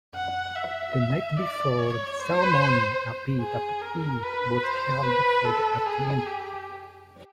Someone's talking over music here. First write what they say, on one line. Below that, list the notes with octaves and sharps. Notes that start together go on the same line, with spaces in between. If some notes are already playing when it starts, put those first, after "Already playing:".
The night before the ceremony, a "pwe" was held for the attendees.
F#5
E5
D5
C#5
C5
G#4
A#4
B4
C5
B4
A4
G#4
G4